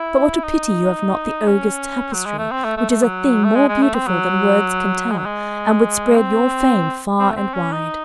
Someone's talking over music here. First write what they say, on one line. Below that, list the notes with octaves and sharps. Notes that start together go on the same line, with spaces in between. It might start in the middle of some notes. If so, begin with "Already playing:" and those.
But what a pity you have not the ogre's tapestry, which is a thing more beautiful than words can tell, and would spread your fame far and wide!
Already playing: E4
D#4
C#4
F#3
G#3
A3
C4
A3
A3
A3
F#3
A3
G#3
G#3
A3
C4
F#3
G#3
F#3
G#3
C4
C4
A3
C4
C#4
D#4